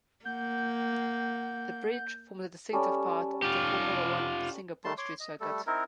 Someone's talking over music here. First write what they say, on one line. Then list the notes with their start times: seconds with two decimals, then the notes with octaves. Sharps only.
The bridge forms a distinctive part of the Formula One Singapore Street Circuit.
0.25 A#3 F#5 G6
2.73 G3 C#4 A4
3.42 F4 G4
4.84 G3 A3 A5 C6
4.98 C#5 C6 D6
5.20 D#5
5.40 G3 A3 A4
5.67 C4 D#4 E4 A#4